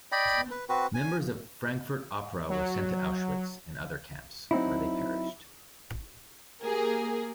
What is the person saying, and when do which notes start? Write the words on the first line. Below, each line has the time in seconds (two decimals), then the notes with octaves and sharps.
Members of Frankfurt Opera were sent to Auschwitz and other camps where they perished.
0.12 D5 D#5 G5 B5
0.51 B4
0.69 C4 F#4 B4
0.94 G#5
2.50 F#3
4.51 F#3 C4 D#4 E4
6.62 A#3 G4 G#4 A#4